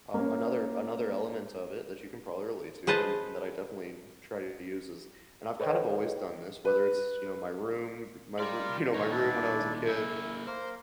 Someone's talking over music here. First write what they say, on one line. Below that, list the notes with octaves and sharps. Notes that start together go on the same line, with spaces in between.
um another another element of it that you can probably relate to and and that I definitely try to use is and I've kind of always done this, whether it's, you know, my room, k my roo you know, my room when I was a kid,
A#3 C#4
G#4 B4 C5 D#5 A5
A4 B4 C#5 D#5 G5
B4
F4 G4 A#4 D5
A#2 D#4 C#5
D4 E4 D5
A#3 E4 G#4
A#3 A#4 C5